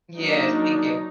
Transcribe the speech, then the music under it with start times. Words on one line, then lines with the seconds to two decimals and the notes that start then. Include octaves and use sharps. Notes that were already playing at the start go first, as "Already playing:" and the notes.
Yes. Thank you.
0.17 F#3 A#3 D4 D#4